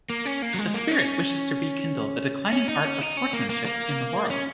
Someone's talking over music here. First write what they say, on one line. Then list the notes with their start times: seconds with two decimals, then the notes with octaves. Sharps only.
The spirit wishes to rekindle the declining art of swordsmanship in the world.
0.10 A#3
0.26 C#4
0.42 A#3
0.54 F#3
0.58 G#3
0.74 A#3
0.91 C#4
2.52 C#4
2.69 D#4
2.84 C#4
3.01 D#4
3.17 C#4
3.33 A#3
3.50 A#3
3.66 A#3
4.30 C#4